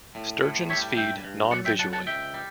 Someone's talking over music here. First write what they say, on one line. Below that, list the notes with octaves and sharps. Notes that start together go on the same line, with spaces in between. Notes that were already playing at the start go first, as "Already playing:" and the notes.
Sturgeons feed non-visually.
A2
A2
G3 C#5 E5
G2 E5 G5
G2
F#3 D5 F#5
E5 G5
F#3 F#5 A5
F#5 A5
C#2 E5 G5
G3